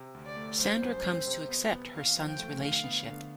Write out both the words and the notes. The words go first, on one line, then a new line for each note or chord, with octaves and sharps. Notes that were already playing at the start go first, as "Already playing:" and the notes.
Sandra comes to accept her son's relationship.
Already playing: C3
D2
D5
A3
G3 C5
F#2
C4
C3
B3
B3
D#2 F5
F3
G5
A3
D3 F5
B3
D3